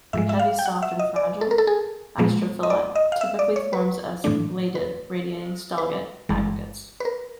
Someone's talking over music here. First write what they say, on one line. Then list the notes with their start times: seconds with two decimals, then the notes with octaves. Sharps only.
Heavy, soft and fragile, astrophyllite typically forms as "bladed", radiating "stellate" aggregates.
0.13 G#2 F3 G#3 E5
0.29 E5
0.39 F5
0.59 G5
0.66 F#5
0.82 E5
0.99 D#5
1.16 D5
1.41 A4
1.51 A#4
1.58 A4
1.67 G#4
2.18 A#2 F3 G#3 B3
2.63 D#5
2.70 D5
2.95 D#5
3.12 F5
3.21 E5
3.39 D5
3.56 C#5
3.73 B4
4.24 A2 E3 A3 D4
4.75 B4
5.78 B4
6.29 G1 G2 E3 G#3
7.00 B4
7.05 A#4